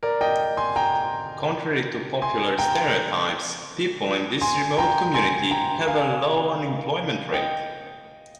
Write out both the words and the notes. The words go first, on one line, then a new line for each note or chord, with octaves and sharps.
Contrary to popular stereotypes, people in this remote community have a low unemployment rate.
A#4 D5
D#5 G5
G#5 C6
G5 A#5
G#5 C6
G5 A#5
G#5 C6
G5 A#5
G#5 C6
G5 A#5
F5 G#5
D#5 G5